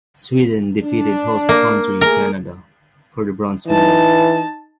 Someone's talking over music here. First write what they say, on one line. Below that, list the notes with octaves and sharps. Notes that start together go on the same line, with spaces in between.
Sweden defeated host country Canada for the bronze medal.
D4
A#3
A3 G#4 A#4
E3 D#4 A5